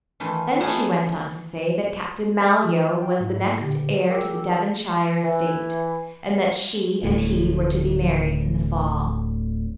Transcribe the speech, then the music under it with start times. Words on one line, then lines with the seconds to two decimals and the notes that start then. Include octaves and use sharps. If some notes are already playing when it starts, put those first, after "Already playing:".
Then she went on to say that Captain Malyoe was the next heir to the Devonshire estate, and that she and he were to be married in the fall.
0.20 D#3 E3 A3 F4
0.60 A3 B3 C#4 D#4 G#4 A4
2.64 E3
2.98 F4 G5
3.20 G#2 E4
3.58 A#2 D3 G4
4.08 G#4 A#4 G5 D6 E6
5.24 E3
7.03 D1 D2 A2